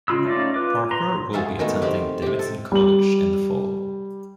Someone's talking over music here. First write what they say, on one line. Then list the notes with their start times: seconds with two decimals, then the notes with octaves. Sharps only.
Parker will be attending Davidson College in the fall.
0.08 C#3 G#3 F4 B5 E6
0.25 A3 C#4 D#4 F4 D5
0.54 F4 B4 D6
0.91 B4 A#5 C6
1.33 F4 F#4 G#4 A4 E5 F5
1.59 D#3 G#3 A3 B3 D#4 F#4
1.82 D#3 C4 G4
2.22 C3 G4
2.39 A4
2.72 G3 F#7